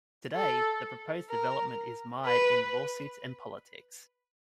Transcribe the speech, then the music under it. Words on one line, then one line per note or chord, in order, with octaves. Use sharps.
Today, the proposed development is mired in lawsuits and politics.
A4
A#4
B4